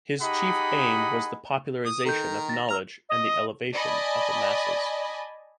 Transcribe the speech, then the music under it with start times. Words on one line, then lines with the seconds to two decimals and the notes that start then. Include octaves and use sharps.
His chief aim was the popularization of knowledge and the elevation of the masses.
0.21 D#4 G4 G#4 D#5 F#5 B5
1.85 D#6
2.06 D#3 A4 A#5 G6
2.49 A6 A#6
2.69 A#5 E6 F6 F7
3.09 D#5
3.73 D5 D#5 G#5 A5 B5